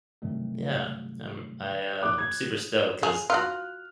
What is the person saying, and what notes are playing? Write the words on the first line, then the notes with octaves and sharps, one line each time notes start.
Yeah, I'm I, uh, I'm super stoked 'cause
G2 C3 D#3 F#3 G3 A3
D6 D#6 F#6
G#6
G#4
F4 F#4 F6 F#6